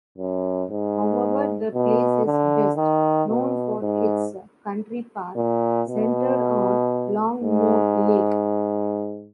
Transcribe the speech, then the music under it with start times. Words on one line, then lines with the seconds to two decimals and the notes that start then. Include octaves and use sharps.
However, the place is best known for its Country Park, centred on Longmoor Lake.
0.18 F#2
0.70 G#2
1.74 B2
2.26 D3
2.77 D#3
3.29 B2
3.81 G#2
5.36 A#2
5.88 B2
7.43 G#2